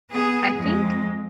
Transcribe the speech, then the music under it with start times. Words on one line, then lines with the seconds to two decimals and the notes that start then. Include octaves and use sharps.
I think
0.11 B3 G#4
0.56 F2 G#3